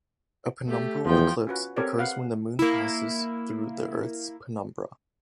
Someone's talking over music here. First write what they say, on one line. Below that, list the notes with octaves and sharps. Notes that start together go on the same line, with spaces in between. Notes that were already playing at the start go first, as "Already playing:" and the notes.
A penumbral eclipse occurs when the moon passes through the Earth's penumbra.
A3 G4
E2 F3 G5
C#4 F4 F#4 B4
C4 G4 A4 A#4 C#5 D5
B4 F5 F#5
A#3 E4